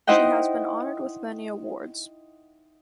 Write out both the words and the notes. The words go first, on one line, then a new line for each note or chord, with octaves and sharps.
She has been honored with many awards.
D#4 E4 C5 D#5 F#5 G5